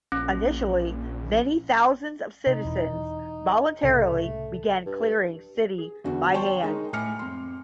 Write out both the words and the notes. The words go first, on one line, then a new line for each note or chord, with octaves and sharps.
Initially many thousands of citizens voluntarily began clearing city by hand.
A#1 C#4
C3 D#4
E1 E3
C2 A2 C#3 A3
G2
G#4
E2 D3 F#4
C#5 G5 A5 C6 C#6
G#3 D#4 A#4
A2 G#5 D6 F6 C#7
F2 C6